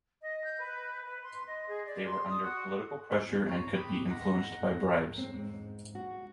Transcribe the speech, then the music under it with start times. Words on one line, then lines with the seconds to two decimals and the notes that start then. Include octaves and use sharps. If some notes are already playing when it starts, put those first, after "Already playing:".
They were under political pressure and could be influenced by bribes.
0.21 D#5
0.44 G6
0.60 B4
1.06 B4
1.23 C6
1.47 D#5
1.68 G#4
1.85 D5
2.05 C6
2.29 D#6
2.43 F#4
3.47 D2 C5 C#5 A#5
3.75 G4 B4 B5 D#6
4.10 D#4 F#5 A#5
4.95 A#4
5.17 C4
5.33 G#2
5.95 F#4